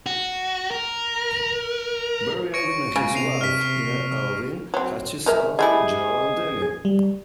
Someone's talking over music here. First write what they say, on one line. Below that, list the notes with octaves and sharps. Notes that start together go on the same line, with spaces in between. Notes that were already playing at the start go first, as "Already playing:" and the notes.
Barry Albin and his wife, Inna Albin, have two sons, Gerald and Daniel.
F#4
A#4
C#5 C#6 A#6 D7
C#2 C#3
C3 C7 D#7 F7
F6 B6
F#3 C4
G#3 A#4 E5
G3 A3 E4 G#4 D#5 G#5
G3